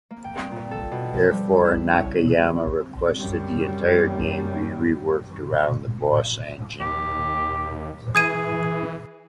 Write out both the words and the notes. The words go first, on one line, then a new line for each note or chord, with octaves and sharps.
Therefore, Nakayama requested the entire game be reworked around the boss engine.
A#3
G5
G2
A#2
A4
B2
F3
G3
E4
C#5
F#2 G3
D#2 G4
E3 G#4 D#6 G#6 D#7